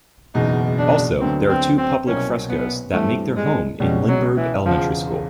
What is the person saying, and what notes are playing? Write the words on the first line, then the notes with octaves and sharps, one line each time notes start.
Also there are two public frescoes that make their home in Lindbergh Elementary School.
F#1 E2 B2 D#4
D4
D2 D3 F#3 B3 C4
C4
C4
C2 B2 F#3 A#3 C#4
B3
G2 E3 G3 A3 C4
G#3
C#2 B2 G3 G#3 C#4
F#3
E3
E1 E2 C#3 F3